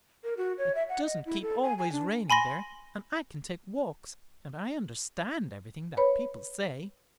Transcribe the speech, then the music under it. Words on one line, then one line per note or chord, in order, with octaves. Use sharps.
"It doesn't keep always raining there, and I can take walks, and I understand everything that people say."
A#4
F#4
C#5
E5
F#5
D#5
E4
A4
G#5
G#5
D4
G#5 B5 C6 A#6
B4 C#5 B5